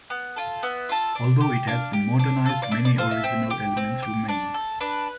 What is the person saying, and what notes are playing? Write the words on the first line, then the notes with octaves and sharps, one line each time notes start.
Although it has been modernised, many original elements remain.
B3
F4 A4
B3 E5
F4 A4
D4
G4
D4 F5
G4
D4
F4 A4
D5
D4 E5
D5
F4 A4 C5
E5
C4
G4
C4
G4
D4 D5
A4
D4 B4